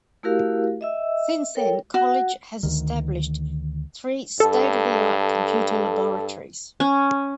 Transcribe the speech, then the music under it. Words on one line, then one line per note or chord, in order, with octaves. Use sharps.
Since then college has established three state of the art Computer laboratories.
A3 E4 F#4 G4 A#4 F5
D#5 E5 E6
A4 A#4 C#5 G5
F#4
D2 D#3
G2 A4
C#4